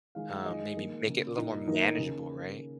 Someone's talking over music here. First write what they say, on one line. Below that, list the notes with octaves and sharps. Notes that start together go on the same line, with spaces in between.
um, maybe make it a little more manageable, right?
D#3 G#3 F5
D#3 G#3 D#5
D#3 A#3
C#3 A#3
A#2 A#3 D#4
D#3 A#3 D#4
C#3 A#3